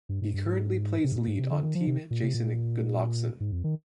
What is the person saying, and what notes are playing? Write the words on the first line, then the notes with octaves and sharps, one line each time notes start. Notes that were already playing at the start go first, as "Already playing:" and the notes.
He currently plays lead on Team Jason Gunnlaugson.
G2
G#2
G2
G#2
C3
G#2
A#2
G#2
C3
D3
D#3
F3
C3
A#2
C3
A#2
G#2
F2
D#3